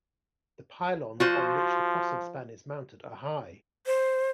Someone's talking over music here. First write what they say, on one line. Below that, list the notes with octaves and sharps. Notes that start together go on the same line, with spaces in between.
The pylons on which the crossing span is mounted are high.
F3 F4 F#4 C5
C5